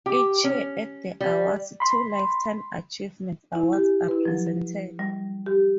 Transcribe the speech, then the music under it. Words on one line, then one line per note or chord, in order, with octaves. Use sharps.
Each year at the awards, two lifetime achievement awards are presented.
G4
C#4
G3
B5 C6
E4 G#5
G4
E4 B4
F3 F#3
G3
G4